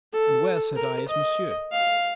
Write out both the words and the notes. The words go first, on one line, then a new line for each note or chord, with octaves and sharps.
"And where," said I, "is monsieur?"
A4
A#4
D#5
F5